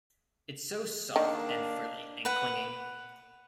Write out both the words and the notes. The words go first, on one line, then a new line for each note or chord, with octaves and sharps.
It’s so soft and frilly and clinging.
D#3 A#3 D4
B4 F#5